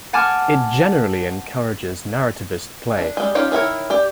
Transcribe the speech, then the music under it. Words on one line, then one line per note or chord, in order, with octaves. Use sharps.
It generally encourages narrativist play.
F#5 G#5 A5 D6 F6
D4
G3 G#3
C#4 D#4 F4 G4
D#3 E4 A#4 C#5
G4 D5